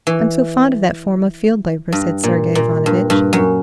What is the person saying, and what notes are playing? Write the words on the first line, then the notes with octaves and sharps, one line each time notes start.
"I'm so fond of that form of field labor," said Sergey Ivanovitch.
E3
G2
A#2
A#2
G2
G2
F#2